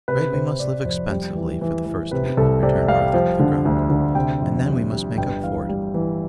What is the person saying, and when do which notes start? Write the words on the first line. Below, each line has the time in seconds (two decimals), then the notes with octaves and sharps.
'I am afraid we must live expensively for the first week,' returned Arthur, with a groan, 'and then we must make up for it.
0.08 C3 B4
0.33 C3 C5
0.60 C3 D5
0.85 F2 C5
1.10 G3
1.35 E3
1.61 E3
1.86 E3
2.11 C3 B4
2.37 C2 A4
2.63 C3 D5
2.88 G3 F5
3.13 F3
3.39 D3
3.65 D2
3.90 D3
4.15 C3 G5
4.41 F2
4.66 G3
4.92 G3
5.17 G1 G5
5.43 E3 F5
5.69 G3
5.94 E3